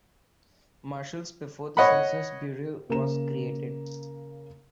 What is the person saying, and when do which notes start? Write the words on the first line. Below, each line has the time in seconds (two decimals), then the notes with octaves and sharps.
Marshals before the Census Bureau was created.
1.77 C#5 D#5 F#5 B5
2.89 C#3 A#3 C#4 A#5 E7